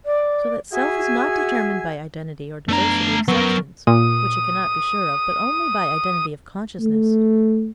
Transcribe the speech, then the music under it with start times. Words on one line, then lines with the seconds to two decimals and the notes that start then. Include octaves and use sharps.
So that self is not determined by identity or diversity of substance, which it cannot be sure of, but only by identity of consciousness.
0.05 D5
0.72 F#4 G#4 E5 G#5
2.68 F#2 A3 B3 D4 A#5
3.28 F#3 B3 A#4 C#6
3.87 A#2 D#6
6.80 A3